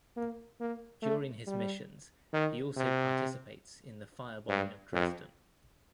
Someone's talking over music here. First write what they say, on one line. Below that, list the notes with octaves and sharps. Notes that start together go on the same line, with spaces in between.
During his missions, he also participates in the firebombing of Dresden.
A#3
A#3
A3
G3
D#3
C3
G2
F2